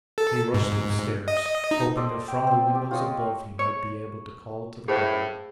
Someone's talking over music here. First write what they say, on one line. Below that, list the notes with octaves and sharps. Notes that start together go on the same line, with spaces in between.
He rushed upstairs, hoping that from the windows above he might be able to call to the guard.
A4
G#2
D#5
D#4
A4 C5 D5 D#5
G5
C4
G4
F4 C#5 D#5
C#5
A2 G#4 C5 F5